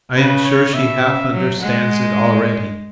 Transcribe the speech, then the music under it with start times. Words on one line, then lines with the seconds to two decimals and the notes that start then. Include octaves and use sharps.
I am sure she half understands it already.
0.16 C#3 B4
0.44 C#5
0.73 B2 E5
1.03 C#3
1.32 F#3
1.61 G#3 F#5